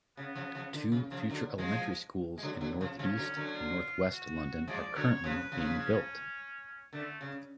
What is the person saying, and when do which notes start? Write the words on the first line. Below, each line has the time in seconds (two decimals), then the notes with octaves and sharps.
Two future elementary schools in Northeast and Northwest London are currently being built.
0.17 C#3 B3
0.36 C#3 F3
0.55 C#3 F3
0.73 D3
0.92 C#3
1.11 C#3 F3
1.30 D3 F#3
1.58 F3 G#3
2.38 G#3
2.43 D3 F#3
2.61 D3 F#3
2.81 C#3 F3
2.98 C#3 F3 C#4
3.18 D3 F#3
3.36 D3 F#3
3.55 F4
4.11 F#4
4.68 F3 G#3 D5
4.96 D3 F#3 C#5
5.24 C#3 F3 B4
5.52 C#3 F3
5.80 C#4
6.93 D3 A3
7.21 C#3